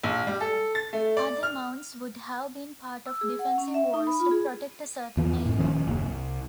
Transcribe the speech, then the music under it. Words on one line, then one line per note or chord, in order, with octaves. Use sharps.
Other mounds would have been part of defensive walls to protect a certain area.
A#1
G3
A4
A6
A3
D5
F6
E6
G#4
F#5
C#4
E5
D#4
B5
F4
G#4
E2 E3 F3
F2 A2
D#1 D#2 F3 C#4
F#1 D#2 C#3 A#3
C2